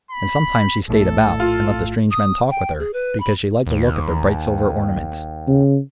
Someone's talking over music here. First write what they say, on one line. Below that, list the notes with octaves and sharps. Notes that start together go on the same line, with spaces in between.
And sometimes she stayed about and let the strange men talk with her, because she liked to look at their bright silver ornaments.
B5
A#1 A2 A3 A4
F4
D#6
G5
G#4
B4
B5
D#2
C#3